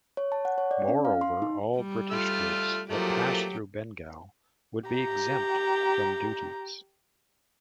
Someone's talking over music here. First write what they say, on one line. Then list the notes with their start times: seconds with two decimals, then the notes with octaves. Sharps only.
Moreover, all British goods that passed through Bengal would be exempt from duties.
0.17 C#5
0.32 A5
0.45 F#5
0.58 C#5
0.71 D5
0.88 C#4
1.05 F5
1.21 C6
1.42 D#4
1.77 G3
2.11 A3 F4 F6
2.90 F3 F#3 A3 A#3 G4
4.90 G4 A#5